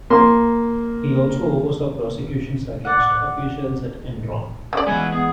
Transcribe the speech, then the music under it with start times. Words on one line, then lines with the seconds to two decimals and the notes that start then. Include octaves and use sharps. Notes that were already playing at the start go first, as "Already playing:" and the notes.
He also oversaw prosecutions against officials at Enron.
0.10 A#3 C6
2.85 D5 F#5
4.73 C#3 D5
4.86 E3 G#3 B3 C#5 F#5 G#5
5.12 B3 G#4